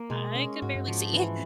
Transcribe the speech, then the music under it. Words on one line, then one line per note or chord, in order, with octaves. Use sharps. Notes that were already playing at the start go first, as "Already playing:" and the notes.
I could barely see.
Already playing: A#3
B2 G#3
C#4
G#2 F#4
G2
G#2 F3
E3